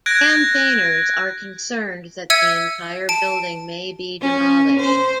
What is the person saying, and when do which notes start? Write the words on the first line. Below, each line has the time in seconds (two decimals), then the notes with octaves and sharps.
Campaigners are concerned that the entire building may be demolished.
0.06 F#6 G#6 A#6 D7
2.30 E5 E6 G#6 C#7 D#7
3.09 A5 D7
4.21 C#4
4.79 C5